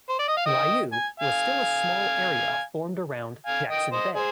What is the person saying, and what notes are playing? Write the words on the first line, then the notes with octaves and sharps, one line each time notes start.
Layou was still a small area formed around Jackson Bay.
C5
D5
D#5
F5
D#5 G5
G#5
F5 G#5
F5 G#5
D#5 G5
C5 D#5
G#4 C5